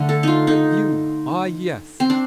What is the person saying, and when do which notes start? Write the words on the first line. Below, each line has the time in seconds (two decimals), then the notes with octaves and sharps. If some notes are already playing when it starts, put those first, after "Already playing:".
But you,--ah, yes!
Already playing: D3 A3
0.09 A4
0.23 D#4 F4
0.47 D#4
2.00 C4
2.10 D4